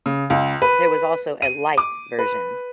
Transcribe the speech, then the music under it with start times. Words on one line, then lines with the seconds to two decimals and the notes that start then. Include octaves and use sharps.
There was also a "light" version.
0.06 C#3
0.30 C#2
0.62 B4
1.42 D#7
1.78 D6
2.19 B4